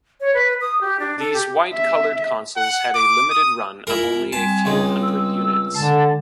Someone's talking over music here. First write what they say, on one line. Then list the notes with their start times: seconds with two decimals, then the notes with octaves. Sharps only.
These white colored consoles had a limited run of only a few hundred units.
0.21 C#5
0.34 B4
0.61 D#6
0.81 G4
1.00 D4
1.19 A4
1.34 G4
1.73 E5
2.56 F#5
2.94 D6
3.30 D#6
3.87 G#3 E4 F4 A#4
4.33 G3 C4 G#5 A5
4.65 C#2 G#3
5.03 E6
5.75 D3 G#3 A5